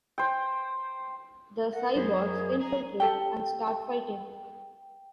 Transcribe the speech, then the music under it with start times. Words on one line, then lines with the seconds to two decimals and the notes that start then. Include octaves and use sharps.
The cyborgs infiltrate and start fighting.
0.18 C5 G5
1.73 A#4 F#5
1.97 F#2 G#4 C5
2.61 G#4 A#5
3.00 G4 A4 G5 A5